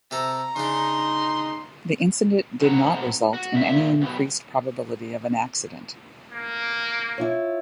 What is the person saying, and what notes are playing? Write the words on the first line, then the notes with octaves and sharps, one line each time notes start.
The incident did not result in any increased probability of an accident.
C3 A4 A#5
C#3 D4 D#4 C6
A2 C3 A3 C5 F#5 A#5
F#4
A#2 E5
B2 G3 B3
A#3
E4 F4 C#5